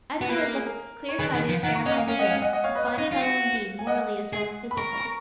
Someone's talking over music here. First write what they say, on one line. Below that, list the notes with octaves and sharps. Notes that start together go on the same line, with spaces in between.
Adam was a clear-sighted, fair-minded man--a fine fellow, indeed, morally as well as physically.
B3
A#3 B4
A#4
G#4
A#4
C#5
D#3 G#4 B4
D#3
F3
D#3 F#5 A#5
A#5 C#6
C#4 D#5 F#5
F5 G#5
C#4 F5 G#5
D#5 F#5
F5 G#5
D#5 F#5
D#5 F#5
C#5 F5
B4 D#5
C#5 F5
D#4
F4
F#4
G#5
D#5 F#5
G#4
B5
A#4 A#5 C#6
A#5 C#6